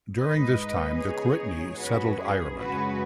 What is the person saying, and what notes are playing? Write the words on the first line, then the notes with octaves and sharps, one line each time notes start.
During this time the Cruithne settled in Ireland.
G#2 G#3 D#4 B4 D#5
C#3 G#3 B3 D#4 G#4 C#5
F#2 F#3 C#4 F#4 B4
G#4
F#2 C#3 G#3 C#4 F#4 B4